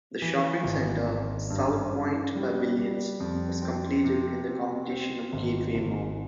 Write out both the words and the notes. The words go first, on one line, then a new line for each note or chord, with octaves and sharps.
The shopping center Southpointe Pavilions was completed in competition of Gateway Mall.
E3
G#1
G#1
G2
C#3
G3
G3
F2
C4
C3
C4
C4
G#1
G#1